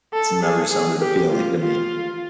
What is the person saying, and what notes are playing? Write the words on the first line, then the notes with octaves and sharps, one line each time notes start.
It's never sounded appealing to me.
A4
G#4
G#4
G4
F4
F4